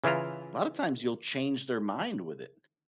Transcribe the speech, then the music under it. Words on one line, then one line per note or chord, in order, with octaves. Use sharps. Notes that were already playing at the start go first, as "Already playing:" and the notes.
lotta times you'll change their mind with it.
C#3 E3 E4 F4 A#5